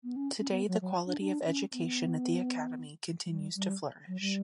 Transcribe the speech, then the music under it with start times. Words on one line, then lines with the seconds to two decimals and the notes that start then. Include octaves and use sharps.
Today the quality of education at the Academy continues to flourish.
0.04 B3
0.16 C#4
0.40 C#4
0.50 B3
0.68 F#3
0.82 F#3
1.07 D4
1.20 D4
1.46 C#4
1.73 B3
3.30 G3
3.55 G3
4.08 F#3
4.21 G3